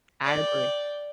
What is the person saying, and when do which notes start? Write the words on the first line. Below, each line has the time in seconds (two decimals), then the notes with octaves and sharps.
I agree.
0.25 D5 G5